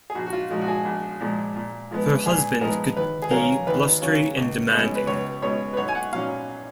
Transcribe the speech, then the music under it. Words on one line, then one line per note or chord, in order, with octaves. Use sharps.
Her husband could be blustery and demanding.
G#4
A#1 F#4
F#4
F4
A#2 F3 G#3 F#4
F#4
G#4
A#1
A#2 F3 G#3
A#2
F3 G#3 B3
A#2 G#4
F3 G#3 B3 A#4
D#2 B4
G#4
C#3 F#3 C#4 A#4
D#2 B4
C#3 F#3 C#4
C#2
B2 G#3 C#4
B4
C#2 C#5
B2 G#3 C#4 C#5
B4
B1 C#5
G#5
F#5
A#2 F#3 C#4 F5